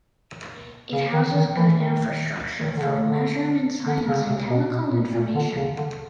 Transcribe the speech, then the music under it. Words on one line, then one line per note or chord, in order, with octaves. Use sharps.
It houses good infrastructure for measurement science and chemical information.
C#3
D#3
D#3
E3
D#3
D#3
D3
C#3
D3
D3
C#3
C3
B2
B2
A#2
A#2
D3
C#3
D3